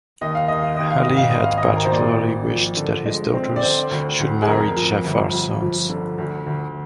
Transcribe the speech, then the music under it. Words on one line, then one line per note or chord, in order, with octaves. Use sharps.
Ali had particularly wished that his daughters should marry Ja'far's sons.
D#2 D#5
F5
D#2 D#5
F5
D#2 D#5
F5
G#1 D#5
F5
G#1 D#5
F5
D#5
G#1
A#4
C5
A#3 D5
A#3
F3
D3
G#3
C4
D5
D3 C5
D2
D2
G#4
F2 A#4
F3
G1
F3
F3
D3
D2
D2